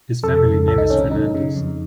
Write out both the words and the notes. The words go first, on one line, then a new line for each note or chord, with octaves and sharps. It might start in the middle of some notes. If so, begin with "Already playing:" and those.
His family name is "Fernandes".
F2 A4
C#3
C2 A4
D#4
C3 D#3 C#4
D#4
F#2 D#4
C#3
F2